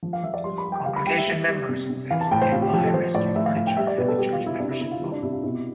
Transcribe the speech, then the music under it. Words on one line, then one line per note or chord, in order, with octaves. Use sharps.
Congregation members who lived nearby rescued furniture and the church membership book.
F3
F5
F3 E5
D5
G3 C6
B5
G3
G5
G3 F5
B5
G3 G5
E5
G3
G3
C3
C3
E3 F5
A5
A2 G5
C5
C3 F4
G4
F3 G4
A4
F3 C5
A2 D5
A2 E5
F5
A2 F5
G5
G3 E5
D5
B2 B4
A4
G3 G4
F4
G3
E4
C3 D4
E4
C3 E4
F4
G3 E4
D4
C3 E4
F4
B2 E4